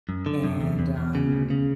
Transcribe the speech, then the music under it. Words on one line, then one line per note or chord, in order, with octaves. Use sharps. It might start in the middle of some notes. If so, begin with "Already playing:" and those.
and, um,
F#2
D3
F#2
E2
E2
E2
C#3
D2
C#3